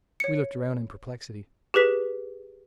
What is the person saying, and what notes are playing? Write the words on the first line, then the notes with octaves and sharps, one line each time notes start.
We looked round in perplexity.
C#5 C#7
G4 G#4 B4 B6